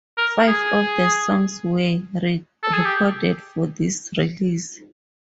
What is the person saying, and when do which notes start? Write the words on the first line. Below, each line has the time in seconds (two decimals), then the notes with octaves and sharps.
Five of the songs were re-recorded for this release.
0.17 A#4
0.48 G#4
2.63 A4
2.74 G#4
2.85 G4